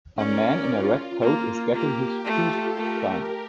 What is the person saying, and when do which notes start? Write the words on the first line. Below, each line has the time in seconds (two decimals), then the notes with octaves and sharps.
A man in a red coat is getting his shoes shined.
0.18 C#4 A#4 D5
0.70 F4
1.21 A#3
1.74 A#3 G4
2.25 A3 F4 A4
2.77 A3 G4 A#4